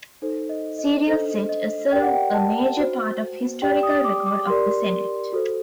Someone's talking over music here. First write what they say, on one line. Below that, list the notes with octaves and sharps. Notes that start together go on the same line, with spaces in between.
Serial Set, and serve a major part of the historical record of the Senate.
D#4 A4 C5
D#5
D#5
D4 A4 C5 D#5
D#5
G4 A#4 D5 G5
F#5
G5
A5
F#4 C5
G4 D5 G5
D#6
D6
D6
G4 A#4 D5 C6
F#4 A4 C5